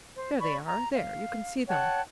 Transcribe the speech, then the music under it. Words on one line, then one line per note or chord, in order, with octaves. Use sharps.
"There they are, there... you can see them."
C5
D5 B5 C#6
A#5
F5
C#5 F#5 G5 A5